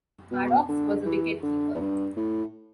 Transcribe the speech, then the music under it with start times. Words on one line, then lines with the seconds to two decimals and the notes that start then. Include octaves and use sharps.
Maddocks was a wicket-keeper.
0.31 B2
0.69 D3
1.06 E3
1.43 D3
1.75 E2
1.80 G2
2.17 A2